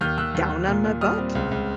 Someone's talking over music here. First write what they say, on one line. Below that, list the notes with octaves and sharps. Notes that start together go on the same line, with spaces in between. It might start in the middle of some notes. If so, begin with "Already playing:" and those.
down on my butt.
D#2 F6 G6
D#2 E6 F#6
D#2
D#2
A#2
A#2
G3 D#6 F6
C4
C#2
C#2